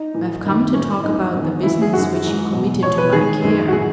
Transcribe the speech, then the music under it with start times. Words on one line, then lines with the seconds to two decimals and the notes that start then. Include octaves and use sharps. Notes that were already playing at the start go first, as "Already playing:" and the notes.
"I've come to talk about the business which you committed to my care."
Already playing: D#4
0.14 A2 E3
0.44 F#2 D#3
0.74 A2 E3 C#4
1.04 F#2 E3 D#4
1.33 E2 D#3
1.63 E2 C#3 E3 E4
1.82 G#4
1.93 F#2 D#3 F#4
2.23 G#2 E3
2.53 E2 B2
2.83 E2 B2 C#5
2.98 B4
3.12 G#2 D#3 G#4
3.42 F#2 D#3
3.68 F#4
3.72 A2 E3 G#4